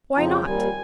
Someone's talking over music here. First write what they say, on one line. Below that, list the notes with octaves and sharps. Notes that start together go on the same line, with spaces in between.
Why not?
F2 C#3 F3 C4 F4 A#5
G5
D#2 D#3 G3 G#5